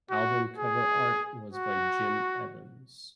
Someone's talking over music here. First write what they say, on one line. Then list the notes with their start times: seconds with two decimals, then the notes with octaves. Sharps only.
Album cover art was by Jim Evans.
0.10 F#4
0.58 G#4
1.53 F#4